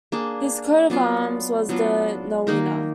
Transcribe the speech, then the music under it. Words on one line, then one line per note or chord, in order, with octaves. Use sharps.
His coat of arms was the Nowina.
A#3 D4 G#4
F#3 B3 D4 F4
F#3 B3 D4 F4
D#3 A#3 D#4 A#4